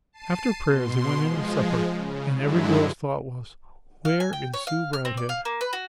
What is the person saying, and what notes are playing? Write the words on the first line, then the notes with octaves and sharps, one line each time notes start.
After prayers they went in to supper, and every girl's thought was, Where is Sue Bridehead?
A5 C7 D#7
B2 C6
F3 G#3
C#3
G2 D3 F#3 G#3 E4
F5
G#5
G5
C#5
F5
F6
C4
D5
F5
A#3
B4
F#4